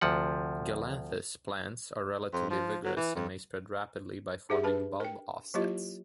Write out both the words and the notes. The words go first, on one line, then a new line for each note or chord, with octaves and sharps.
"Galanthus" plants are relatively vigorous and may spread rapidly by forming bulb offsets.
D2 C3 F3 F#5
F2
F3
F#3
E3
F2
D#4 G4 G#4 E5 F#5
D4 B4 A5 B5
A#4 G5
F#3 A#3 E4 F4 G4 D#5